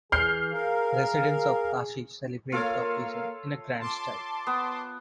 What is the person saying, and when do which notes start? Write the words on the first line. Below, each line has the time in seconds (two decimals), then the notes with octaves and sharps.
Residents of Kashi celebrate the occasion in a grand style.
0.12 E3 G#4 F6 G6 C7
0.52 A#4 F5
2.52 A#3 F4 A4 A#4 C#5 F5
3.80 A5 C6 D6
4.47 B3